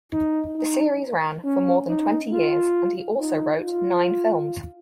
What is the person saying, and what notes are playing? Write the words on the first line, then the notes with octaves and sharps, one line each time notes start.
The series ran for more than twenty years, and he also wrote nine films.
D#4
D#4
C#4
D#4
F4
D#4
F4